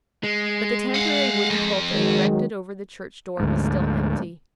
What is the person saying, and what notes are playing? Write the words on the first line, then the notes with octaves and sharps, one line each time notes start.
But the temporary wooden pulpit erected over the church-door was still empty.
G#3
F5 F#5
F2
D#3 F#3 G#3
D2 G#2